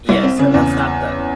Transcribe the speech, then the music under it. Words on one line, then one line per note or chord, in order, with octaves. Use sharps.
Yeah, so that's not the
C2
C4
C#3
E2